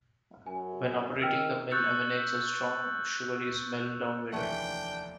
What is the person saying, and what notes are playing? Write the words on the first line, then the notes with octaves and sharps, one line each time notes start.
When operating, the mill emanates a strong sugary smell downwind.
F#2 G#5
D#3 G5 E6 F6
C#6 E6 F#6 G6 A6 C#7
F1 D#2 E3 A3 D4 B4 G5